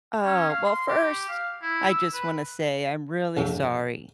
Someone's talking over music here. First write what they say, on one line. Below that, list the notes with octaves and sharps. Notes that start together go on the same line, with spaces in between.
Oh. Well, first, I just wanna say I'm really sorry.
C#4
F5
C6
G4
F5
E4
E6
B4
A#1 F2 A2 C3